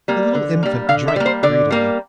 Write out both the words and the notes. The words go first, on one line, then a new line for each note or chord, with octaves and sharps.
The little infant drank greedily.
G3 A#3
D3
G3 A#3
D3 F5
E5
G3 A#3
C5
D3 D5
G3 A#3